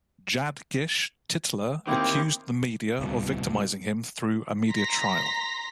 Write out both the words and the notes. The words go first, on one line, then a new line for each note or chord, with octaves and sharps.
Jadgish Tytler accused the media of victimizing him through a media trial.
D#3 A#3 C4 E4 G4 G5
D1 C2 B2
A#5 C6 A#6 B6